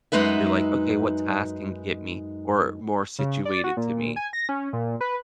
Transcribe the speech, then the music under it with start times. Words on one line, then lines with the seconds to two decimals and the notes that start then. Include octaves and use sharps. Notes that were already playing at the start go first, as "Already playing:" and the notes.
you're like, "Okay. What task can get me, or more situated to me
0.12 F#2 G#3 D#4 B4 E5
3.19 C#3
3.45 D5
3.64 F#4
3.77 A#2
4.16 G#5
4.33 A#6
4.49 C#4
4.73 A#2
5.01 B4